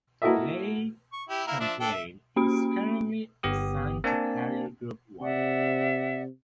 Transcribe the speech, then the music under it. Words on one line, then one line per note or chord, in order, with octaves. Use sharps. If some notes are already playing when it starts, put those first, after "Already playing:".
"Lake Champlain" is currently assigned to Carrier Group One.
A#3 E4 F#4 A4 D#5 E5
C#6
E4 G4
A#3 E4 A#4
F3 D4 E5
D4 A4 G5
E5
A#3 C#4 F#4 B5 D7
G1 B3 G4 D#6
A#3 C4 D4 G#5 A5
C3 D5 E5 F#5